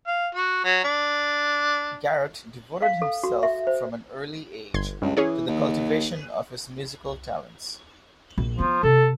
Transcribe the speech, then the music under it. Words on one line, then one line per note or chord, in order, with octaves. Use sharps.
Garat devoted himself from an early age to the cultivation of his musical talents.
F5
F#4
F#3
D4
F5
A4
F#4
E5
C5
G1 C6 G#6
C#2 G2
E3 C#4 G#4 C#5
D#2
A#1
F3 B3 D4
C3 A4